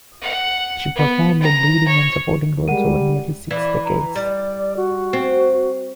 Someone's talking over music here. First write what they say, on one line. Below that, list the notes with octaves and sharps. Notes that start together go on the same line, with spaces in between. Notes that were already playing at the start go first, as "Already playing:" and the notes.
She performed in leading and supporting roles over nearly six decades.
F#5
B3
A#5
C#5
G3 G#3 A#4 F#5 D#7
E3 D5
A#5
G3 D5
F#4
C4